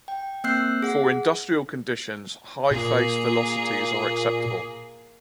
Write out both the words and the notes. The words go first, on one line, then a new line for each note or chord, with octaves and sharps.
For industrial conditions, high face velocities are acceptable.
G5
A#3 C4 E6 F#6 G6 C7
G#4 F#5
A#2 A#3 G#4